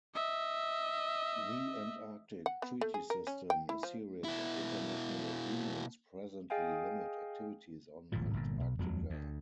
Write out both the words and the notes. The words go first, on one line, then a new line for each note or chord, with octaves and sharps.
The Antarctic Treaty System, a series of international agreements, presently limit activities on Antarctica.
D#5 E5
F#5
B3
A3
G#4
A#4
C#4
G5
E4
F3
B2 E4
G#4 D#5 F5 G5 G#5
D#1 G#1 A2 F3
G1 A#2
B1
D#1 F2 F#3 G#3
D2